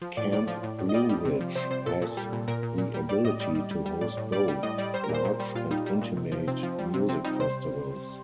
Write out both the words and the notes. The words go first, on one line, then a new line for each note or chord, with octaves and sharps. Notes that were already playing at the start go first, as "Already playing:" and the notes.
Camp Blue Ridge has the ability to host both large and intimate music festivals.
F3
A2 D5
A2 D5
F3
A2
A2
D#5
G3 D5
G3
C3
F3
C3 C5
C3 C5
A#2 A4
A#2
G3
A#2
A#2 A#4
A#2
A#2
G3
G3 D5
A2 D#5
G3 D5
G3
G3
G3
A2 D5
A2
G3 D5
G3
A2 D#5
G3 D5
G3 C5
A#4
A#2
C5
A#2
G3
A#2 F4
G3 D#4
G3
A#2
C3
F3
C3 C4
F3
G3
C3
C3 C4
G3 D#4
C3 C5